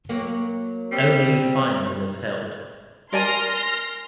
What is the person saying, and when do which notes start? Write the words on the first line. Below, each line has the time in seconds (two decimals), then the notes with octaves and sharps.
Only final was held.
0.09 F#3 A#3
0.92 G3 C4
3.13 A#4 D5 G#5 C6 F6 A#6